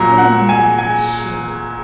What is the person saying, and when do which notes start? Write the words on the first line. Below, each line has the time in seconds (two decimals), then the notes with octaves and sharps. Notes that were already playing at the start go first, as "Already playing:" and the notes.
Oh, no! to be sure.
Already playing: A#2 F#3 A#5
0.18 F#5
0.49 G#5
0.79 G#5